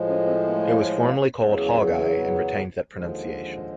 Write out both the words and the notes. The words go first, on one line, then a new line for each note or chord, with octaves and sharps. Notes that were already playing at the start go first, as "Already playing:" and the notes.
It was formerly called "Hog-Eye" and retained that pronunciation.
Already playing: A2 F3 G#3
C#4
C4
B3
A3
A#3
A#3
E2 C#3 F#3 A3
A#3
A#3
B3
A#3
B3
D#2 D3 F3 G#3